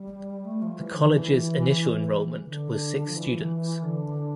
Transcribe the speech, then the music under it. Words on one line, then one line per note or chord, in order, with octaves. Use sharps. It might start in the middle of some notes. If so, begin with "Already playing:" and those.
The college's initial enrollment was six students.
Already playing: G3
A3
F3
E3
D3
E3
D3
F3
E3
D3